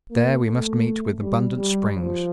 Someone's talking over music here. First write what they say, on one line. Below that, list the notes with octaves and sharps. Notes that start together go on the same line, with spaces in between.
There we must meet with abundant springs.
A#3
A3
G3
G3
F3